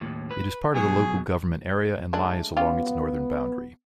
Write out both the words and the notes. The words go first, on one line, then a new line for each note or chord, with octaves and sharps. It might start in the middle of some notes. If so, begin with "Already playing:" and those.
It is part of the local government area, and lies along its northern boundary.
D#2 A2
B4
B2 F#3 G#4
G#3 A3 D4
B3 C#4 F4 G4